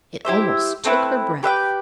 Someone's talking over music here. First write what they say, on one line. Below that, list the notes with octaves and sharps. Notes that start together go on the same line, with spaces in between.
It almost took her breath.
E4 G4 C5 E5
A3 C4 E4 B4
G4 B4 E5 G5